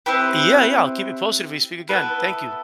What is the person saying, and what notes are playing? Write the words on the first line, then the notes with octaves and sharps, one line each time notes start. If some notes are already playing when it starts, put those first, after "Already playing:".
Yeah, yeah, I'll keep you posted if we speak again. Thank you.
C4 E4 G4 B4
B3 E4 A4 B4